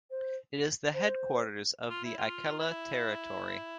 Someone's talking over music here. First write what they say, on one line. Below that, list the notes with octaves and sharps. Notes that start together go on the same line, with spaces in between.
It is the headquarters of the Ikela Territory.
C5
C5
F4
E4
F4
E4